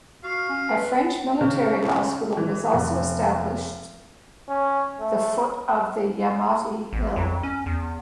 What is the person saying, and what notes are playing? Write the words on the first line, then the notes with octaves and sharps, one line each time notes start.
A French military hospital was also established the foot of the Yamate hill.
F#4 F5
C#4
B4
C#3
E3
F1
C#4
A3
A1
F2
C#4
E2